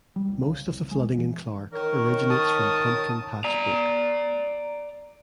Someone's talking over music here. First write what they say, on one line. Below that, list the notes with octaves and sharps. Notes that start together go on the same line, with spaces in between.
Most of the flooding in Clark originates from Pumpkin Patch Brook.
G3
C2
C#3
C2
G#3
F1
E3
D#3 A#4 C#5
A5 D#6
D5 A#5